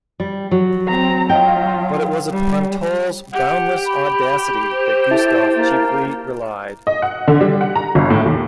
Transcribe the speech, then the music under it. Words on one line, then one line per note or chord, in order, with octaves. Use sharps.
But it was upon Toll's boundless audacity that Gustav chiefly relied.
G3
F#3
C4 A#5
F#3 F4 D#5 G5
G3
G4 F#5
B5
C5
E4 A4 A5
A#3
D#5
F#5
D3
G3
F#5
A#5
G1
A2
D#2